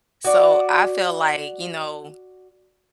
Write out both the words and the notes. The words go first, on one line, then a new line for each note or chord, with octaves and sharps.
So I felt like, you know,
F#4 D5